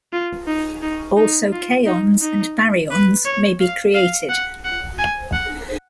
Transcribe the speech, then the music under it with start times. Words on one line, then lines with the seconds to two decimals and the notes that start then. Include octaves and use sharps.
Also kaons and baryons may be created.
0.13 F4
0.47 D#4
0.83 D#4
1.17 D#4
1.52 F4
1.87 D#4
2.21 D#4
2.91 B4
3.25 C#5
3.60 F5
3.94 F5
4.29 F#5
4.65 F#5
4.99 G#5
5.33 F#5